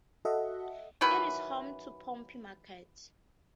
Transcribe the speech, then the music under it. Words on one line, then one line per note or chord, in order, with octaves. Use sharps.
It is home to Pompey Market.
F#4 A4 D#5 E5 F#5
D#3 E3 F#3 B4